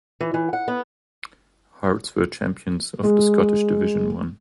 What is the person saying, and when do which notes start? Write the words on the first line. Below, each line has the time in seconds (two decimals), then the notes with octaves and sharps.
Hearts were champions of the Scottish Division One.
0.21 E3
0.34 E3
0.53 F#5
0.68 B3
3.03 G#3